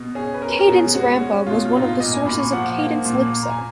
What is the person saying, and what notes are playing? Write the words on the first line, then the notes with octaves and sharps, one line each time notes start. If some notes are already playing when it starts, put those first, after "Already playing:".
Cadence rampa was one of the sources of cadence-lypso.
Already playing: B2
C#4 G#4
B4
C#4 A#4
A#4
B2
G#4
G#3 F#4
C#4
B2 F4
F4
B2 D#4
F4
A#2 D#5
G#5
A#2 B5
C#6
F3 F#5
A#3
A#2
A#3
A#5
G#5